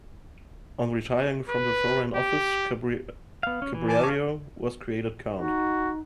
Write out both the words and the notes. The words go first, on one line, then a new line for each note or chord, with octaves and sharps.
On retiring from the foreign office Cibrario was created count.
B4
G4
B3 F5
C#4
E3
G#5 A5 D6
C#5 F5
D#4 F#4